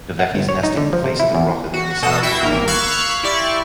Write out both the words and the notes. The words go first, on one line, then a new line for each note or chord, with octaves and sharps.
Dovekies nesting in the face of the rock are the only signs of game.
F#5
G1
C#5
D#4
D3
F3
C3
E4
E2
F#4
B2 F#4 A4 D#6 E7
E4 F#4 E5 G5 C7
G#1 A#3 A#4
F5 B5 C#6 E6 F#6 G#6
E4 G4 D5 C6 C#6